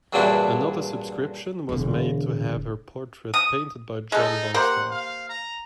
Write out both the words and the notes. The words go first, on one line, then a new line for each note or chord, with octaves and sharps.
Another subscription was made to have her portrait painted by John Longstaff.
E2 G2 A#2 F#3 D4 E4
E1 D3
D#6
G#3 D#4 A4
A#3 G4 C5 F#5
F5
A#5